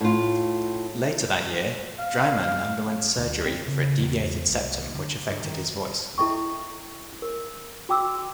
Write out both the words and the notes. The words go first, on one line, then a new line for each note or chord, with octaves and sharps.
Later that year, Draiman underwent surgery for a deviated septum which affected his voice.
A2 F4
F5
D2
C4
C#3
E2
C2
D3
G2
D#3
E4 A4 D#5 E5 G5 C#6
A#4
F#4 G5 D6 E6